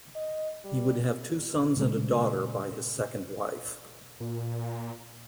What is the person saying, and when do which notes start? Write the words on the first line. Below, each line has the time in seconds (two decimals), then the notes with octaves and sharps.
He would have two sons and a daughter by his second wife.
0.16 D#5
0.64 G3
1.77 A#2 C#3 G#3 A3
4.20 A#2